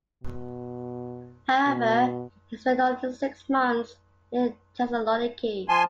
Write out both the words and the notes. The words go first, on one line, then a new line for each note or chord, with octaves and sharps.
However, he spent only six months in Thessaloniki.
B2
B2
F3 G#5 A5 C6